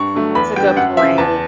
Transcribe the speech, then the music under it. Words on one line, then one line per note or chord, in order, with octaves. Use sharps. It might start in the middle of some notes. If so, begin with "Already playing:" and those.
That's a good point.
Already playing: G2 C#6
D3 F#3 A3
E2 B5
D3 G3 G5
F#2 F#5
E3 E5
C#3
E2 A5